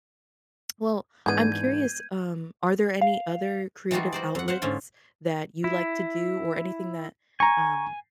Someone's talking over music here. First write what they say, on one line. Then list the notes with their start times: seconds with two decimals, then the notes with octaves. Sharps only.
Well, I'm curious, um, are there any other creative outlets that you like to do, or anything that, um,
1.26 G#2 E3 G#3 B3 D4 G6 G#6 D#7
3.01 F5
3.91 E3 G3 G#3 D#4 F4 F#4
4.12 F#4 C5 D5
4.35 F2 F#5
4.48 C5 F5 F#5
4.62 G#2 D3 C#4 F4
5.64 E4
7.40 G#5 A#5 C#6